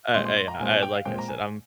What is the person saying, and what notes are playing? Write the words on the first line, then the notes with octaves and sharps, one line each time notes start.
I I I like I said, "I'm
A#2 G#3 C4 C6
C6
C6
A#5
A#2 G#3 C4 G#5
G#5
G5
F5
A#2 G#3 C4 G5
A#5
G#5